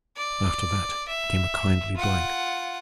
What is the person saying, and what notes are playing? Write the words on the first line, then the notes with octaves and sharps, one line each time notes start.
After that came a kindly blank.
D5
E5
F4 F#5